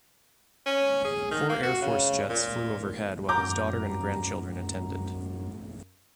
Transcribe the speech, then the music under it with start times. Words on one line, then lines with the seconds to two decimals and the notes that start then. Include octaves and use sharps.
Four Air Force jets flew overhead while his daughter and grandchildren attended.
0.66 C#4
1.05 G#4
1.31 D#3
1.49 A#3
1.63 F#4
1.82 C#3
2.29 A#2
3.29 F#2 A#5 D6 G6